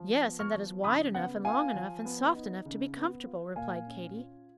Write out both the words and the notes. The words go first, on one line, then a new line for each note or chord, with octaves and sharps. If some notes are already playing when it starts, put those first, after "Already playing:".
"Yes, and that is wide enough and long enough and soft enough to be comfortable!" replied Katy.
Already playing: F3
B3
C#6 F6
F3
C#3 B5 D#6
B3 F#5
F4 F5 G#5
F3
B3
D#4
C#3
B3
F4
A#2 F5 G#5
C#4
F4